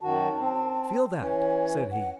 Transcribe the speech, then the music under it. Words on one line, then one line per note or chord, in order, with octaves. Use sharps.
"Feel that!" said he.
F#2 D#3 F#4 A5
C4
E3 C#4 C#5
F#5